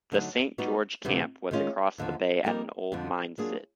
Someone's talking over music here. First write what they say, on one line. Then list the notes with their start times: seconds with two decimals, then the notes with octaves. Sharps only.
The Saint George camp was across the bay at an old mine sit.
0.12 D3 F#3 A3 C4 D#4
0.58 G3 B3 D#4 F#4
1.05 D2 C3 E3 G3
1.51 D#3 G#3 C#4 F4
1.98 D#2 D3 F3
2.44 G3 A#3 D#4 G4 A#4
2.92 F2 D3 F3
3.38 F#3 A#3 D4 F4 G#4